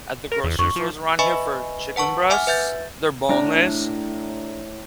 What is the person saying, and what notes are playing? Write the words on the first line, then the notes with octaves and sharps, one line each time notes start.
at the grocery stores around here for chicken breasts. They're boneless.
A#4
E2
F2 C#6
F3
B4 D#5 E5 G#5 B5 C#6
B4 F#5 A5 C#6
E5 F#5 G#5 D6 F6
B4 E5 G6 A6
A2 D4 A#5